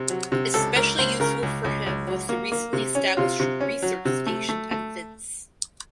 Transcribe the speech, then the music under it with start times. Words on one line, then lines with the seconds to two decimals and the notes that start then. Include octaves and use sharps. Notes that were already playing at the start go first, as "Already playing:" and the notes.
Especially useful for him was the recently established research station at Finse.
Already playing: C3
0.10 F#3
0.32 C3
0.54 C#2 A4
0.76 C#2 A#4
0.98 C#2 C5
1.20 C#3 A#4
1.43 C#2
1.64 C#2
1.86 C#2
2.07 F#3
2.29 A#3
2.52 A#3
2.73 C3
2.95 C#4
3.17 C3 F4
3.40 C3
3.60 C#4
3.82 F#3
4.05 C3
4.27 A3
4.49 A3
4.71 A3